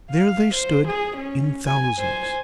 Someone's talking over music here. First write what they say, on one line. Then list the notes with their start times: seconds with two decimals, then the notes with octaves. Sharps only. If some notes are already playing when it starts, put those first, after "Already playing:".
There they stood in thousands.
0.11 F5
0.55 C5
0.88 G#4
1.17 C#4
1.67 G#5
1.99 C5 G#5